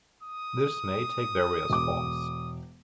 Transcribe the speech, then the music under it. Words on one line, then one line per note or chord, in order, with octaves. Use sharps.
This may take various forms.
D#6
E1 D6